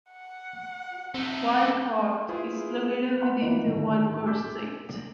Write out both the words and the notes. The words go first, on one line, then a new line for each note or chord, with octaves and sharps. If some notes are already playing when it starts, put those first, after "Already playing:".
Whitecourt is located within the Whitecourt-Ste.
F#5
A3 C4 D#4
E4 F4 G#4 B4 C5
F#5 B5 C6 F#6
E3 D#4 F4 E5
A2 D3 D#3 G3 A3
G#5 D6 E6 G6 B6